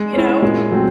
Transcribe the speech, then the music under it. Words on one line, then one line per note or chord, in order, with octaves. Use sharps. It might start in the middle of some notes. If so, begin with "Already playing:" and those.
you know,
Already playing: G#3
C#4 E4
A#2 G#3
F#3 A3 C4